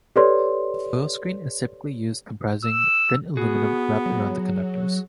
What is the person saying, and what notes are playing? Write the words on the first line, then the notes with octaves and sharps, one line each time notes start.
A foil-screen is typically used, comprising thin aluminium wrapped around the conductors.
G4 A4 B4 C#5 D5 C6
E6
B3 F#4 G#4
F#3